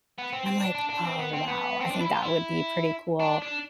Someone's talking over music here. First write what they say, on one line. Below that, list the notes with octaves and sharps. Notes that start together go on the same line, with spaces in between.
And I'm like, "Oh wow, I think that would be pretty cool,"
B3
C4
C4
D4
D4
D4
C4
B3
C4
B3
C4
D4
E4
F4
E4
D4
D4